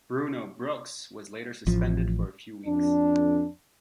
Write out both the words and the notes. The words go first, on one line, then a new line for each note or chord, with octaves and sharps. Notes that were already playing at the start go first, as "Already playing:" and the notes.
Bruno Brookes was later suspended for a few weeks.
A1 F3
F2 D4